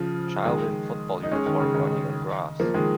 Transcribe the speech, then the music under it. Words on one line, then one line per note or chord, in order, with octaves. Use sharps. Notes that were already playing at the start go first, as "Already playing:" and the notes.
Child in football uniform running on grass.
Already playing: C#3 F3
D#3 G#3
D#4
G#3 C#4
D#3
C#3
D#3
F3 A#3
D#3 G#3